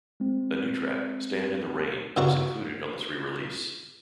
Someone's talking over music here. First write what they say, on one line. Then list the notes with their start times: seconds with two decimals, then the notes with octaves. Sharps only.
A new track, "Stand in the Rain", was included on this re-release.
0.20 G#3 C4
2.17 G2 C#3 E4 F#4 A#5 C#6